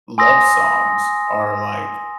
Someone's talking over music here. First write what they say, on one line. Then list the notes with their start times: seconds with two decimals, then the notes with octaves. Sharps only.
love songs are, like
0.18 G#5 C6 D#6 E6 A#6